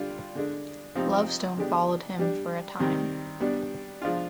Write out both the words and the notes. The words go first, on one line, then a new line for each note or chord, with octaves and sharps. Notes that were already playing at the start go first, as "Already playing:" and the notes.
Lovestone followed him for a time.
Already playing: D3 G3 D4 F4
D3 G#3 D4
F3 C4 D#4 G4
D3 G#3 B3 D4 G4
G3 D4 G4
C3 D#3 G3 C4
G3 B3 D4
F3 G#3 D4 F4